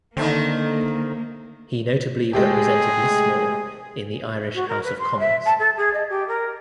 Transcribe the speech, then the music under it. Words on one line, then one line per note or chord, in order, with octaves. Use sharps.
He notably represented Lismore in the Irish House of Commons.
D3 D#3 A3 A#3 C4
G#3 A3 G4 G#4
F#4
A#4
B4
C6
E5
A5
A4
G#4
D#5
G4
A#4